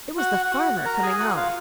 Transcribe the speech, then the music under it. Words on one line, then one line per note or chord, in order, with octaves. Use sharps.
It was the farmer coming home.
F#4 F#5
F#4 F#5
A#4 A#5
G#4 G#5
F#4 F#5
F4 F5